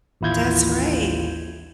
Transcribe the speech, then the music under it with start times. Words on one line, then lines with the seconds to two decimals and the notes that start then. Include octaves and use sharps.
That's right.
0.21 A1 D#2 E4 F4 G6 G#6